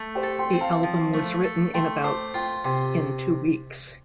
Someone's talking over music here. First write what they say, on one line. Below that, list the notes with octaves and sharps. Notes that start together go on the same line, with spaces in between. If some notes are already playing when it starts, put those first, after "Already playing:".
The album was written in about in two weeks.
Already playing: A3
G4 C5
A4
G5 C6
C4
F5 A5
F3
A3
A4
A3 G5 C6
C5 A5 D6
F4 G5 C6
C3 G5 C6